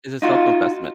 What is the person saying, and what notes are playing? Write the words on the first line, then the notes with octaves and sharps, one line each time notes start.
It's a self investment.
D#4 F4 F#4